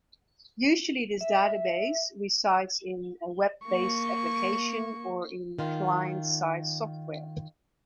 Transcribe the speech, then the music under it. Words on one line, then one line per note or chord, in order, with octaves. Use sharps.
Usually this database resides in a web-based application or in client-side software.
E5
A#3 C#6
D#3 F4